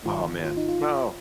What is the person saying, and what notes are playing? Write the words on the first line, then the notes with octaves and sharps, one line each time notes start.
Aw, man. No.
G#1 G#2 D#3 F4
F4
D#4
F4